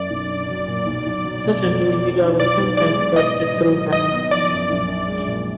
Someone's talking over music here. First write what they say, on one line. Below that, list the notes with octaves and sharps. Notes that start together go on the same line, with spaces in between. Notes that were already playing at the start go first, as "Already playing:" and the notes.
Such an individual was sometimes called a "throwback".
Already playing: F#2 D5
B1
D4
F#3
A#2
B1
B1
F#3
B2
F2
F2
A#3
D#3
B1 D5
B1
G#3 D5
B2
G#2 D#5
G#2
F#3
D#3
G#1 D#5
B3
F3 D5
F#2
A#1
D4
G#3
A#2